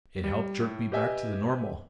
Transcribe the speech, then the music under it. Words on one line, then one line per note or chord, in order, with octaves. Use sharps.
It helped jerk me back to the normal.
G3
A2
G4 B4 D#5 E5 G#5